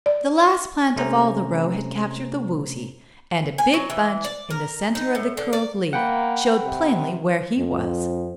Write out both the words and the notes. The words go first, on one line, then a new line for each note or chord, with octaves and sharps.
The last plant of all the row had captured the Woozy, and a big bunch in the center of the curled leaf showed plainly where he was.
D5
C3 A3 C#4 C5 A#5
G#5
F#3
E3
D5
A#4
D#4
A2
D3
D5
A#3 F#5 G5 B5
C3
F2